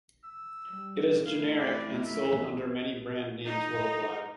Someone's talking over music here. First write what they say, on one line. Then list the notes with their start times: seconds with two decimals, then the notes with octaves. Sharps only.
It is generic and sold under many brand names worldwide.
0.24 E6
0.68 G3
1.26 A3 E4 F5
1.59 D5
2.06 E5
3.45 D#4